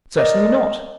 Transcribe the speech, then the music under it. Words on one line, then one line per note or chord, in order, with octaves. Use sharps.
"Certainly not!"
A#4 D5 D#5